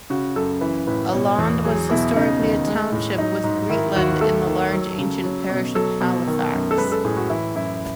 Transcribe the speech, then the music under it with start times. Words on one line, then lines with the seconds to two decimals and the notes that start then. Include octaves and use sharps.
Elland was historically a township, with Greetland, in the large ancient parish of Halifax.
0.10 C#3 F#4
0.36 F#2 A4
0.61 E3 B4
0.87 A2 B4
1.13 B2 C#5
1.38 E2
1.64 F#3 G#4
1.89 B2 E4
2.16 C#3 D#4
2.42 D#2
2.67 G#3
2.92 A2
3.18 F#3 D#4
3.44 G#2
3.70 D#3 E4
3.96 D#2 F#4
4.21 A3 A4
4.46 D#3
4.73 F#3
4.98 C#3
5.24 F#3
5.50 B2
5.75 F#3 A4
6.01 B2
6.27 D#3
6.53 F#2
6.71 A4
6.78 G#3 B4
6.92 A4
7.05 A2 G#4
7.17 F#4
7.30 E3 E4
7.55 F#2 E4